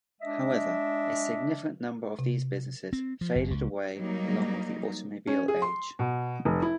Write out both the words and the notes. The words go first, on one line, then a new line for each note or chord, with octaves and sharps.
However, a significant number of these businesses faded away along with the automobile age.
G#3 D4 D#5 E5
C3
C4
F3
F#1
C#2
F#3 G3 A#3 D#4
C#4
G#4
C6
B2
F1
E4